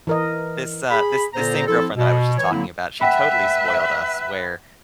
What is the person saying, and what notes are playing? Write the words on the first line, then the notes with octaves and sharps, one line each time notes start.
This, uh this this same girlfriend that I was just talking about, she totally spoiled us where,
E3 A#4 D#5
G#4 B5
A#2 D3 B3 A4 C5 A#5
F3 C4 E4 A4
B2
E3 C#5
D3 F#3 A#3 C4 E4
B4 E5 F#5 G5 B5